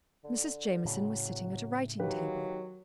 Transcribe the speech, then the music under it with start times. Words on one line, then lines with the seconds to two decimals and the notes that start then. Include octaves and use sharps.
Mrs. Jameson was sitting at a writing-table.
0.24 D3
0.85 A2 C#3 F#3
2.00 D#3 F#3 A#3 G4 B4